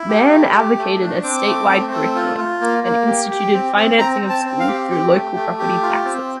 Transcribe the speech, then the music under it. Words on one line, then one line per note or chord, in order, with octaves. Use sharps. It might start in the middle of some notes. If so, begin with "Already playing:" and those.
Mann advocated a statewide curriculum and instituted financing of school through local property taxes.
Already playing: E4
G4
A3
G4
A3
D4
C4 D6
A3
C4
A3
F4
F4
A#3
A#3
G4
G4
C4
C4
C4 A#5
C4
A5
C4
F5
G4
G4
A3
A3
G4
F4
C4